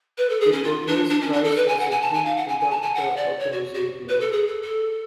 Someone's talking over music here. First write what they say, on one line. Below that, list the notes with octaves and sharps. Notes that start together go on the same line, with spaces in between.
It portrays Christ as the true interpreter of the Mosaic Law.
B4
A4
G#4
C#4
F4
D4
D4
C#4
D4
A4
B4
G#5
F#5
G#5
A5
G#5
F5
F#5
G#5
G#5
A5
G#5
F#5
D5
C#5
F#4
F#4
B4
A4
G#4
A4
A4